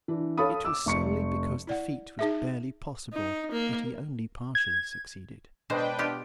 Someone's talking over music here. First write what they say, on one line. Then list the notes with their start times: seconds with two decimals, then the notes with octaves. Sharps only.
It was solely because the feat was barely possible that he only partially succeeded.
0.08 E3 D4
0.38 A4 C#5 F5 B5 D#6
0.65 D6 E6
0.86 F1 C#6 C#7
1.67 E4 D5 F#5
2.19 D#4 G#4 E5
3.13 D#4
3.51 A#3
4.55 G#6
5.70 B2 G#3 D4 B4 C5 G5
5.99 B3 F4 G4